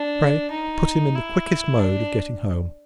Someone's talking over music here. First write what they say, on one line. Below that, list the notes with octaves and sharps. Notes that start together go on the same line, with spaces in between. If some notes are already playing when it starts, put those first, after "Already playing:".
Pray, put him in the quickest mode of getting home.
Already playing: D4
D#4
E4
D4